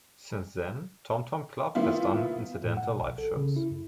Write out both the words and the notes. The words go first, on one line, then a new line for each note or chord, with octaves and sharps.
Since then, Tom Tom Club has done incidental live shows.
D#3 A#3 B3 E4 F4
A2
F#5
B2
A#1
A4
C#3
E4
F#2